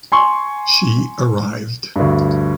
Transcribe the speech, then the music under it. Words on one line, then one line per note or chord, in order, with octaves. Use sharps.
She arrived.
G#5 C6 C#6
D2 G2